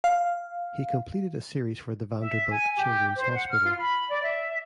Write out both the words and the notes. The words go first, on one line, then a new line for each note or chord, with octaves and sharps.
He completed a series for Vanderbilt Children's Hospital.
F5
E5
G#5
G4
C5
F#5
F6
F4
B5
D5
E5